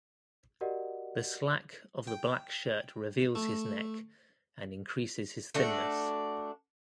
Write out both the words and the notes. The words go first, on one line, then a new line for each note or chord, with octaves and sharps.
The slack of the black shirt reveals his neck and increases his thinness"".
F#4 G4 A#4 D5 D#5 F#5
G5
A3
A3 D4 F#4